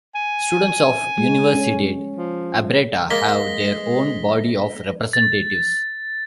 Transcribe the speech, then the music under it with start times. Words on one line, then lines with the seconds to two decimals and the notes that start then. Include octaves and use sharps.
Students of Universidade Aberta have their own body of representatives.
0.15 G#5
1.18 G#3
1.55 C#4
2.16 F3
3.10 G#3 A#3 A#6 B6 G7
5.13 A6